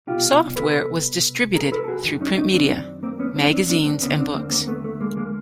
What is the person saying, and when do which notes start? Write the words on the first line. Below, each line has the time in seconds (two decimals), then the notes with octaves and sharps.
Software was distributed through print media; magazines and books.
0.07 C2 B2 F4 G4
0.56 A4 B4
1.55 G#4 A#4
1.72 A4 B4
1.84 A4
1.88 F#4 G#4
2.05 F#2 D#3
2.21 C#4 D#4
2.37 C#4 D#4
2.54 C4 D4
3.03 A#3 C4
3.19 B3 C#4
3.36 C4 D4
3.53 C4 D4
3.70 C4 D4
3.85 A#3 C4
4.02 D#2 D3 B3 C#4
4.18 C4 D4
4.35 A#3 C4
4.52 A#3 C4
4.67 A3 B3
4.84 A3
5.00 G#3 A#3
5.17 G#3 A#3